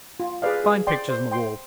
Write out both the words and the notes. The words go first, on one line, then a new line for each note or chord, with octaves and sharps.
Fine pictures on the wall.
F4
G#4 B4 D5 F5
G#4
D5 G5 C6
C5
G5 C6